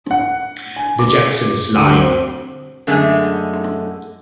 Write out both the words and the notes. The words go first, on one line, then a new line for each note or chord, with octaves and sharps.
The Jacksons Live!
F#5
G#5
D6
D2
C4
F#2 D3 G#3 A3